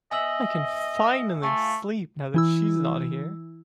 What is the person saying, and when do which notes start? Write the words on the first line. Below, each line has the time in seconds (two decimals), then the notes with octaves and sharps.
I can finally sleep now that she's not here.
0.11 B3 D#5 E5 G#5 E6 F#7
1.43 A3 F4 G#5
2.34 E3 E4 E6